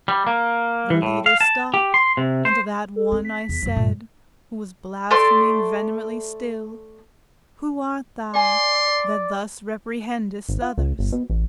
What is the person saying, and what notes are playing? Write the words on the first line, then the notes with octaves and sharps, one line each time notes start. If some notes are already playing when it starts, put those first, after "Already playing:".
The Leader stopped; and to that one I said Who was blaspheming vehemently still: "Who art thou, that thus reprehendest others?"
G3
A#3
E3
A2
F5
A5
G4
C6
C3
C5
A4
C4
B6
E2
F#2 F#3
G2 A#2 D3
A3 D5 C6
D5 G#5 A#5 C6
G#1
F4
C#2
G1
B2
A1